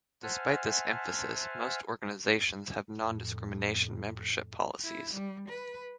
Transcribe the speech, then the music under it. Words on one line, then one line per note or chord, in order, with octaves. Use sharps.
Despite this emphasis, most organizations have non-discrimination membership policies.
C5 E5 F#5 G#5 A5 F6
F2 A2
E4
G3
B4